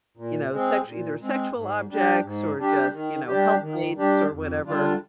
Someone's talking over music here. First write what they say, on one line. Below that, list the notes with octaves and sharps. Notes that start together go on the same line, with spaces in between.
you know, sexu either sexual objects, or just, you know, helpmates, or whatever,
A#2
G#3 C4
A#2
G#3 C4
G#2
G3 D4 G4
G#2
G3 D4 G4
D#3
G3 D4 G4
D#3
G3 D4 G4
F2
D3 G3 D4 F4